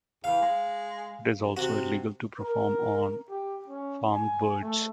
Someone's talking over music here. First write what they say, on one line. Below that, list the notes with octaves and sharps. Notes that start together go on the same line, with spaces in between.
It is also illegal to perform on farmed birds.
E2 F5
G#3
F#2
C3 F#4
A#4
G4
C#4
G#5
A3